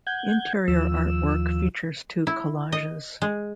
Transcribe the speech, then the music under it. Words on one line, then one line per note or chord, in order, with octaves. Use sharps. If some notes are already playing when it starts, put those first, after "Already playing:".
Interior artwork features two collages.
F#5 G6 G#6
D#2 F3 E6
E4
D#5
G#3